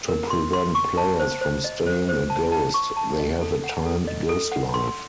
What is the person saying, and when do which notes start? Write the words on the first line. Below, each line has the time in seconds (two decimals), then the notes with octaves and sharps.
To prevent players from staying a ghost, they have a timed ghost life.
0.08 A#4
0.30 C6
0.53 C6
0.75 C#6
0.97 A5
1.19 C5
1.41 C5
1.64 D#5
1.86 C5
2.09 C5
2.30 A5
2.52 A5
2.74 C#6
2.97 A5
3.19 D#5
3.41 A4
3.64 F#5
3.86 A4
4.07 D#5
4.29 A4
4.52 F#5
4.74 C6